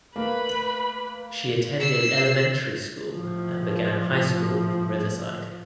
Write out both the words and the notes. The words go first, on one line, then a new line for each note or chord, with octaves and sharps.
She attended elementary school and began high school in Riverside.
A3 A#3 B4 B5
E6 C7
A2 F3